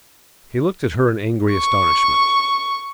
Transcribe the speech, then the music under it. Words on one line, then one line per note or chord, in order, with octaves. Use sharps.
He looked at her in angry astonishment.
C#6